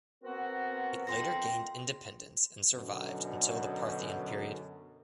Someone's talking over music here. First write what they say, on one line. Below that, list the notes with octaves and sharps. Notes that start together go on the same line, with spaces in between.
It later gained independence and survived until the Parthian period.
B3 C4 F#4 A#4
F2 G5 C6 A#6
F#2 B2 D3